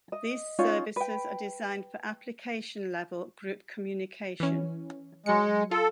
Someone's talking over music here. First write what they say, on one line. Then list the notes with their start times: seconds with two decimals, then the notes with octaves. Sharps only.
These services are designed for application-level group communication.
0.12 D#5
0.59 C#4 D#4 F4 C#5
0.96 B4 G5
4.40 E3 C#4
5.26 F#3 G#3 C#7
5.71 F4 A4